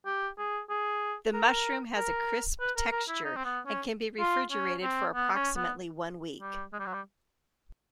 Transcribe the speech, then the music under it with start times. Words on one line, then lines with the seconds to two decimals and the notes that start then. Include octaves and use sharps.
The mushroom has a crisp texture and can be refrigerated for approximately one week.
0.06 G4
0.38 G#4
0.70 G#4
1.33 A#4
1.96 A#4
2.61 B4
2.77 A#4
2.92 A#4
3.09 E4
3.24 D#4
3.36 C4
3.45 B3
3.67 C#4
4.20 F4
4.51 C#4
4.83 C4
5.15 B3
5.35 C#4
5.57 B3
6.41 G3
6.73 G#3
6.80 G3
6.87 F#3
6.94 G3